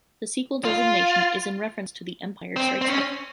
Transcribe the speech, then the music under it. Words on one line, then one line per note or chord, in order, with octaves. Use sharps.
The sequel designation is in reference to "The Empire Strikes Back".
F4
C4
C4
C#4